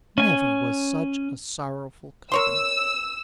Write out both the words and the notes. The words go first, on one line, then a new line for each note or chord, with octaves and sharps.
Never was such a sorrowful company.
C#4 G#5
A#4 C#5 C6 E6